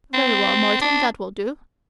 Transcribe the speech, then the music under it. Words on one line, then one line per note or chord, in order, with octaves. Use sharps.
"Very well, Morton, that will do."
C4
D4